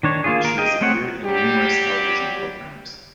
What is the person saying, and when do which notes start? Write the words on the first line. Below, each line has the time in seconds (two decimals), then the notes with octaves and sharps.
She has appeared in numerous television programs.
0.03 D#3 D4 C#5
0.24 A#3 F4 G#4
0.45 A#4
0.58 D#5 G5
0.81 G#3 A3 C4 C#5 F#5
1.23 F#3 G3 G4